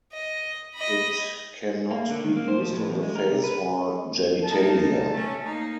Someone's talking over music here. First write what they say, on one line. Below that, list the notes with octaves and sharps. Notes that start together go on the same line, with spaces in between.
It cannot be used on the face or genitalia.
D#5
D#5 B5
A#3
D3
D#3
A#3
C5
F3
A2
E2
G#3
A#4
C3
B4
A#3 D#4 A5
A3 C#4
A#3 D#4